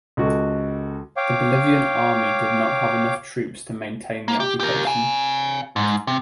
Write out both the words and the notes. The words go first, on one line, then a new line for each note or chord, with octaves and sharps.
The Bolivian Army did not have enough troops to maintain the occupation.
C#2 F#4 A4
C#5 F5 G5 D6
A#3
G4
G4 A#4
F5 G#5
G#2
C3